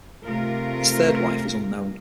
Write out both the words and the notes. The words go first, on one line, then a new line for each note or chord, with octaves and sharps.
His third wife is unknown.
C3 A3 F4 A#4